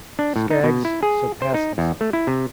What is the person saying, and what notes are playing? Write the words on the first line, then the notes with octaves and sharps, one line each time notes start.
Skaggs surpassed himself.
D4
A2
D#4
B2
E4
G#4
C5
D#4
E2
A3
E4
C3